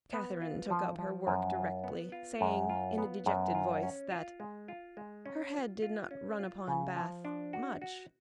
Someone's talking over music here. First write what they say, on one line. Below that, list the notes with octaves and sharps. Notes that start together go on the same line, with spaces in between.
Catherine took up her work directly, saying, in a dejected voice, that "her head did not run upon Bath--much."
B3
F4
F3
F3
F#2
F4
B3
F4
F#2
F4
B3
F#2
F4
C#4
F4
G#3
F4
G#3
C#4
F4
F4
C#4
F4
C#3
F3
D4
F#4
F#4